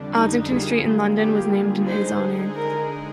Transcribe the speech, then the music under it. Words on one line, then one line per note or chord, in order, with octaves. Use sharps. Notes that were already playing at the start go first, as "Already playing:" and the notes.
Ossington Street in London was named in his honour.
Already playing: F2 D3 G3 D4
D#4
D3 G3 A#3 F4 G#4
G4
D3 G#3 D#4 G#4 C5
A#4